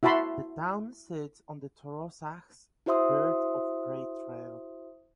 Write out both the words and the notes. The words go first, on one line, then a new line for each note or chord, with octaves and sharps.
The town sits on the Trossachs Bird of Prey Trail.
E4 F#4 E5 A5 B5 C6
E4 F#4 C5 E5 C6 D#6